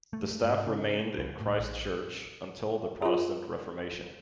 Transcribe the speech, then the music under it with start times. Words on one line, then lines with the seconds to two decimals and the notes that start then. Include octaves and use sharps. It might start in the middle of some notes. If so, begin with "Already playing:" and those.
The staff remained in Christ Church until the Protestant Reformation.
0.13 A3
0.44 G#2
0.67 C#3
1.18 C#2
1.40 A2
1.59 A#1
3.02 F4 G#4